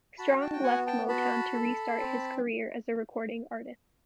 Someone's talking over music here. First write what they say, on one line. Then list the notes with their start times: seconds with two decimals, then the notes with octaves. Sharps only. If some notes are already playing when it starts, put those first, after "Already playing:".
Strong left Motown to restart his career as a recording artist.
0.18 F#4 A5 B5
0.41 G5 A5
0.53 G5
0.63 B3 F#5 G#5
0.87 G5 A5
1.08 F#4 A5 B5
1.54 A4
1.99 C4